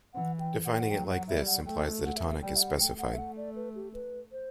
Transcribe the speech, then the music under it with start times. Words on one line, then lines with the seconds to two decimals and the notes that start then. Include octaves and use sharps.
Defining it like this implies that a tonic is specified.
0.14 E3 F#5
0.40 G5
0.65 F#5
0.73 G5
0.81 F#5
0.90 F#3 G5
1.09 F#5
1.28 G3 E5
1.47 F#5
1.66 A3 G5
2.05 F#5
2.17 E5
2.42 G3 G5
2.56 E5
2.61 F#5
2.80 A3 G5
2.98 F#5
3.13 E5
3.18 F#5
3.37 D5
3.56 B4
3.75 G4
3.94 B4
4.32 C5